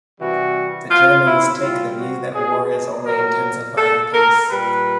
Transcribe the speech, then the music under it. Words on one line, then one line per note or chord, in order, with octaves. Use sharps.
The Germans take the view that war is only intensified peace.
C3 E3 G3 F#4
F4
E4
B2 G3 F4
F#4
G#4
A#2 F#3 A#4
A4
A#4
A#2 G3 B4